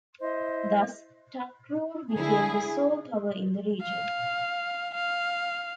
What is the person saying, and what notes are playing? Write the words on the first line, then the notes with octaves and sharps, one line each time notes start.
Thus, Takrur became the sole power in the region.
E4 C5 D#5
D3 E4 G#4
F5
F5